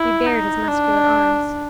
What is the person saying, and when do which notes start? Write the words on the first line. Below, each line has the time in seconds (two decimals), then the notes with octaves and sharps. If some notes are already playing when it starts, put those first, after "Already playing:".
He bared his muscular arms.
Already playing: E4
0.26 D#4
0.68 D4